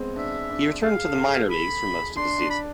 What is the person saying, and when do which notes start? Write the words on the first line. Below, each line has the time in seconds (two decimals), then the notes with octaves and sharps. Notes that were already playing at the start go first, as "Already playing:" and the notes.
He returned to the minor leagues for most of the season.
Already playing: G#3 B3 C4
0.16 D4 E5
0.50 D4
0.83 G#4 F5
1.06 A4
1.28 G#4
1.50 B5
2.16 D4 C6
2.38 D4
2.50 B5